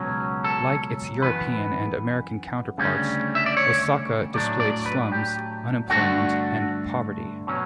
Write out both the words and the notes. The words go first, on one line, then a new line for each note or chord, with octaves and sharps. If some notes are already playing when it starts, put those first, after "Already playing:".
Like its European and American counterparts, Osaka displayed slums, unemployment, and poverty.
Already playing: C#2 B2 F#3 C#4
A4
F#2 E3 B3 B4
D2 C#3 G3 C#4
E5
D5
C#5
A2 F#3 A3 D4 D5
D5
B4
G4
G2 D3 A3 D4 F#4
B2 F#3 C#4